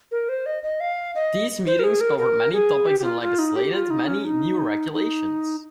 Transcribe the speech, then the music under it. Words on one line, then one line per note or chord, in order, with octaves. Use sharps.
These meetings covered many topics and legislated many new regulations.
A#4
C5
D#5
D#5
F5
D#5
C5
A#4
G#4
A#4
A#4
G#4
G4
G4
F4
F4
D#4
G4
F4
D#4
C#4
D#4
D#4